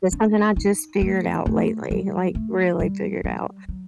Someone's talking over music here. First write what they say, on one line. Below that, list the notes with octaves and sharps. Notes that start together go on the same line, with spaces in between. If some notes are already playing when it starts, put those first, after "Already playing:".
That's something I just figured out lately, like, really figured out.
D4
D#4
A3
A3
G3
A3
G3
G3
F#3